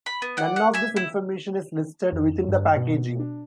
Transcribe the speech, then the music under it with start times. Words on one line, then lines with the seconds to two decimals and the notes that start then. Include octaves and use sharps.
None of this information is listed within the packaging.
0.06 B5
0.22 B3
0.37 D5 F#5
0.56 F#5
0.74 E5 G#5
0.96 E4
2.12 F2
2.48 G2
2.76 B2
3.19 D4